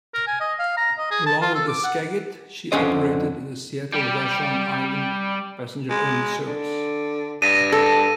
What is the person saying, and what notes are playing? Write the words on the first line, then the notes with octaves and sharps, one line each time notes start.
Along with the "Skagit", she operated the Seattle-Vashon Island passenger-only service.
A#4
G#5
D#5
F5
A#5
D#5
G#4
A5
F4
A4
D6
F#5
F2 D3 C#4 C5 D#5
G3 G4
G#3
D3
G2 A#6 D#7
A4